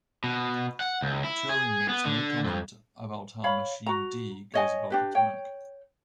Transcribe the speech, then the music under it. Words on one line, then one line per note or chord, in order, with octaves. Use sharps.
Turing makes no comment about how machine D goes about its work.
B2
F#5
C#2
E4
G#4
B3
D3
F2
C#5 F5 B5
F#4 A#5
C#5 D#5 G#5
D4 G4 B4
C#5 G5